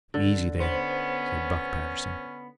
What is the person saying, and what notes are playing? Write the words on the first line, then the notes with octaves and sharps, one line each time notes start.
"Easy there!" said Buck Patterson.
D3
B3 C#4 C5